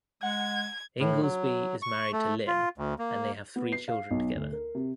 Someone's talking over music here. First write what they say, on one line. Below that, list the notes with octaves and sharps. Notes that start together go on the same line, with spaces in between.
Inglesby is married to Lynn and they have three children together.
G#3 F#5 G#6
A2
F#3
C#6
A3
F4
D2
A#3
B3
C7
F5
B1
D2
A#4
C3